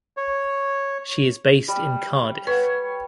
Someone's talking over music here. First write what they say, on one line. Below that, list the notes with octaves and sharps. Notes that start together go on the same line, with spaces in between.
She is based in Cardiff.
C#5
G3
B4 C#5 F#5